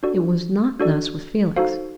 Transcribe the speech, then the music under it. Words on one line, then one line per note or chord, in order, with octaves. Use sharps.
It was not thus with Felix.
D4 F#4 A4 D5
D4 F#4 A4 D5
D#4 F#4 A4 C5 F5